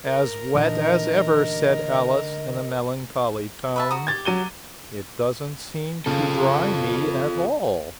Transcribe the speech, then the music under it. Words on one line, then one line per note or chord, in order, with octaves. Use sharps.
'As wet as ever,' said Alice in a melancholy tone: 'it doesn't seem to dry me at all.'
A#4
D2 A#2 D3 E3 D#4 D#5
B4 E5 A5
F#4 A#5 D#6
G4 G#6 A6
F#3 D#7 G7
C#3 F4 A4